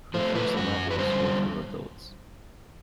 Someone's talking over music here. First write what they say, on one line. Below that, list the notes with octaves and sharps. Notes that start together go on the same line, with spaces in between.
Her first novels were for adults.
F3 A3 C5
B4
F#2 F#4
B4
D3 G3 C5